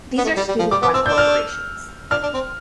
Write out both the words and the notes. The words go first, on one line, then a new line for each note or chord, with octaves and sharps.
These are student-run corporations.
B3
A3
G3
G3
F3
G3 D6
B3 D6
C4 E6
D4 G6
F6
D4 F6
D4
C4